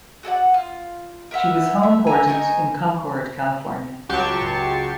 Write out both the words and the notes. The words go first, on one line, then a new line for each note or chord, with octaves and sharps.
She was homeported in Concord, California.
F#4 A4 D5 F#5
F4
A#4 B4 E5 F#5
E5
E5 G#5 A#5
D#4 A#4 G#5 C#6
C#2 F#3 G4 A5 C6 C#6